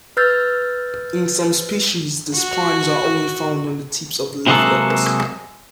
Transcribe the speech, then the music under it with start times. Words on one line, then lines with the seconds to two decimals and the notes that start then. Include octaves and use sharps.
In some species the spines are only found on the tips of the leaflets.
0.17 B4 E6 F6 G6 A6
2.37 F#4
4.47 C3 F#3 G#3 A#3 F#4 A4